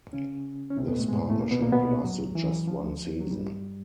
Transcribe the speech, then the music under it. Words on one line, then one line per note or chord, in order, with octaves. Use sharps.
This partnership lasted just one season.
C#3 C#4
C#4
C3 C4
B2 B3
A2 A3
G#2 G#3
A2 A3
A#2 A#3
B2 B3
A#2 A#3
B2 B3
F#2 F#3
E3
F3
F#3
G2 G3